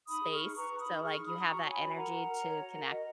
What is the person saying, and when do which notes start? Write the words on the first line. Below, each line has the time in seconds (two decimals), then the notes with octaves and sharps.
space, so, like, you have that energy to connect
0.09 D#4 B5 D#6
0.24 G#4
0.32 C#6 F6
0.39 D#4
0.55 B4 A#5 C#6
0.70 B4
0.79 B5 D#6
0.87 D#4
1.01 G#4 C#6 F6
1.17 D#4
1.25 B5 D#6
1.34 D#4
1.48 F#4 A#5 C#6
1.61 C#5 A#5
1.71 G#5 B5
1.80 F#4
1.87 G#5
1.95 A#4 F#5 A#5
2.10 A#4
2.26 A#4
2.41 C#5
2.58 F#4
2.73 A#4
2.89 F#4 D#5